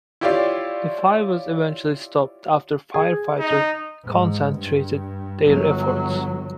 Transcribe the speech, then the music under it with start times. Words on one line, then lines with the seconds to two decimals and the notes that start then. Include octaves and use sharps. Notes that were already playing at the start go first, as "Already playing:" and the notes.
The fire was eventually stopped after firefighters concentrated their efforts.
0.21 E4 F4 G4 C#5 D5 F5
2.94 G#4
3.40 D#4
4.04 G#2
4.54 G2
5.47 G1 F#3